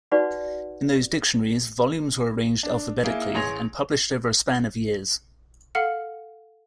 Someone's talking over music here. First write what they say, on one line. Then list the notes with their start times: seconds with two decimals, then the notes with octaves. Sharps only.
In those dictionaries, volumes were arranged alphabetically and published over a span of years.
0.11 D#4 F#4 B4 D5 F#5 C#6
2.63 D4
3.04 A#3 D#4 E4 G#4
3.35 A1 G#4 C#5 C6 A#6 F7
5.75 A4 F5 F#5 F6 C#7